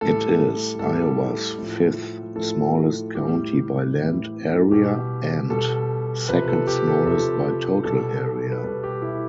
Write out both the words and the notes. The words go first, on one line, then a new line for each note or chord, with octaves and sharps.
It is Iowa's fifth-smallest county by land area and second-smallest by total area.
A2 G3 A4
A2 G3 A4
A2 F3
A2 F3 A4
A2 E3 G3 G4
A2 E3 G3
B2 G3 G4
B2 G3 A4
C3 F3 B4
A4
G4
A4
C3 F3 A4
B2 G3 A4
B4
B2 G3 A4
G4
E4